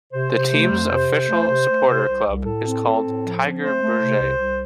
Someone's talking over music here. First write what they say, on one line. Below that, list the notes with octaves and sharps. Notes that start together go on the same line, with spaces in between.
The team's official supporter club is called "Tigerberget".
C3 C5
C3
A3
F2
C3
F2
A3
C3
A3
C3
C2
C2
A2 A4
C4
C4
A2
F3
C4
A3 C5
A3
C3
C2
C2